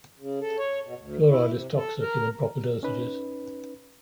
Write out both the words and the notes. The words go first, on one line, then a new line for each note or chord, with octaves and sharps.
Fluoride is toxic in improper dosages.
C#3
A4
C#5
B2
D2
E4
C3
A4
A#4
C#4 D#4 B4